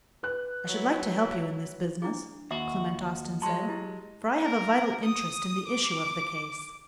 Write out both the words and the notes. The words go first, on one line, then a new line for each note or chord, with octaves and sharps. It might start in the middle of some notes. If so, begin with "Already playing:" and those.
"I should like to help you in this business," Clement Austin said, "for I have a vital interest in the issue of the case."
B4 F#6
F#3 E4
D4 E4 G#4
D#2 F#4 E5 F#5 C#6
F#3 G#3 A5 C6
E4 G4
A#4
D#6
D6